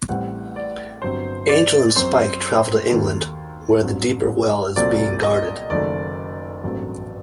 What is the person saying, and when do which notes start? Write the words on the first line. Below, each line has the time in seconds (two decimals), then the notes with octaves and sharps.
Angel and Spike travel to England where the Deeper Well is being guarded.
0.09 A1 A2 G3 C4 F#5
0.56 D5
1.02 G1 G2 F#3 C4 C5
1.49 D5
1.95 F#2 F#3 C4 C5
2.89 D#2 D#3 A3
3.82 A1 G2 F#3 C4
4.76 C2 A#2 F#3 A3 C4 D5
5.23 D#5
5.70 F#1 F#2 D#3 F#3 A3 D5
6.64 A1 G2 F#3 A3 C4